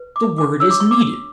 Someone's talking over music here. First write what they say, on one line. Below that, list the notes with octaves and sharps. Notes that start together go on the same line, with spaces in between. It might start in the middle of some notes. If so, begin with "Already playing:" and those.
The word is needed.
Already playing: B4
D6
D6
D4 G#4 C#5 E6
D6
C#6
D6